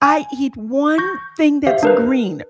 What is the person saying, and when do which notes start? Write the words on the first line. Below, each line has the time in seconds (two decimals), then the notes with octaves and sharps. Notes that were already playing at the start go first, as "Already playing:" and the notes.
"I eat one thing that's green."
0.02 G#5
0.98 C#6 G6 A#6
1.67 G4 C5 E5 F5
1.83 D4 A#4 B4